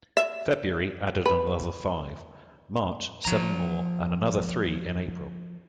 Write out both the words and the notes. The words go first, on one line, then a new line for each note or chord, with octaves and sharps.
February added another five, March seven more, and another three in April.
E5
B4
F3 A#5